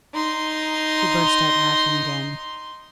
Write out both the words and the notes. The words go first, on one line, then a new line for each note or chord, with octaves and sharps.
She burst out laughing again.
D#4 C6